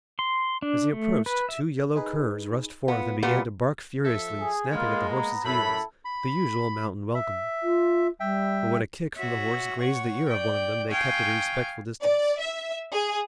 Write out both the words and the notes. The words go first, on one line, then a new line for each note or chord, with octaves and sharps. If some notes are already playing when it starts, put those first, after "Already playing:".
As he approached two yellow curs rushed forth and began to bark furiously, snapping at the horse's heels, the usual mountain welcome. But when a kick from the horse grazed the ear of one of them they kept at a respectful distance.
C6
D4
A3
B4
E5
D#4 G#4 B4
B3 F4 B4 F#5
A#2 G3 B3
F3 A4 E5
G#4
G#3 A#3 B3 F4 A#4
B3 A#5
F#2 E4 A4 B5
B5
E5
F4
G3 E5 G5
F#4 C#5 E5
C#5 F#5 C#6
D5 G5
F5 G5 G#5 C#6 D#6
D5
E5
G#4